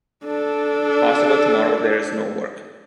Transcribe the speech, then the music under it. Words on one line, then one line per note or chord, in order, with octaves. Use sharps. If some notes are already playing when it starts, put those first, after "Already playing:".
Possible tomorrow there is no work.
D4 A4